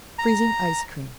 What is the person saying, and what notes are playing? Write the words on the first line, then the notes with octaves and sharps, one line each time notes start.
Freezing Ice Cream.
A#5